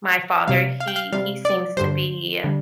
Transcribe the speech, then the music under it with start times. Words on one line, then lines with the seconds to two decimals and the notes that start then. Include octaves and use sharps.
My father, he he seems to be
0.48 C3 G3 F5
0.80 F5
0.88 G5
0.96 F5
1.13 C3 G3 F5
1.45 D5
1.77 G2 D3 G3 C5
2.44 D3 G3